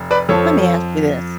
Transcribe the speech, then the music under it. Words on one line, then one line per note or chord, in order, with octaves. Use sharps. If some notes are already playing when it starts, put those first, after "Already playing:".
Let me ask you this
Already playing: F1
B4 D5
F2 F3 A4 C#5